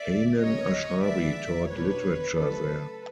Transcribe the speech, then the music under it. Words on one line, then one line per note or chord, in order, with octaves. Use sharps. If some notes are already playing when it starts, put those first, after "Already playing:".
Hanan Ashrawi taught literature there.
Already playing: D5 E5
A#2 G3 A#3 C#4 C#5 D#5
F3 G#3 B3 D4 D5 E5
B2 G3 A#3 D4 B4 C#5
C#3 F#3 A3 A4 B4